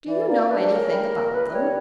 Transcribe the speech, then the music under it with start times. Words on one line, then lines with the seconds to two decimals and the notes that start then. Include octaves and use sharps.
Do you know anything about them?'
0.07 E3 D5
0.28 A#3 D5
0.49 D4 B4
0.59 G4
0.70 C#3 A#4
0.91 G3
1.11 A#3
1.32 C#2 B4
1.52 G3 C#5